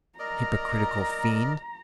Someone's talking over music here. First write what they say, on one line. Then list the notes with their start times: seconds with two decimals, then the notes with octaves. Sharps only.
Hypocritical fiend!
0.19 A#4 D5 D#5 A#5